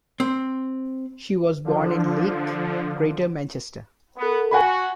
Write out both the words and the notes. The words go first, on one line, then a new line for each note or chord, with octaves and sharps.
She was born in Leigh, Greater Manchester.
C4
D3 F3
B3
F#4 F#5 G#5 B5